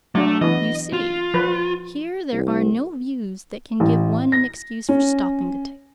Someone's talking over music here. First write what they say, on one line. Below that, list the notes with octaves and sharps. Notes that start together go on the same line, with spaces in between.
You see, here there are no views that can give one an excuse for stopping to take breath.
F#3 A3 D4
E3 B3 D#5
F4
F3 B4
C2
A1
A#6
C#4